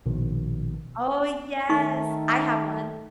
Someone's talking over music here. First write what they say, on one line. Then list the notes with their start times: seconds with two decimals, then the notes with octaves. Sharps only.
Oh, yes, I have one.
0.06 A#1 B2 D#3
1.70 D#3 A3 D#4 C#6